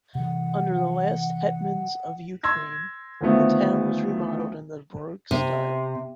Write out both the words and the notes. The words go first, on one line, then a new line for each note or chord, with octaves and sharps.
Under the last hetmans of Ukraine, the town was remodeled in the Baroque style.
C3 E3 F#5
C6 E6 G#6 A#6
D2 D#3 F3 A3 B3 C4
C3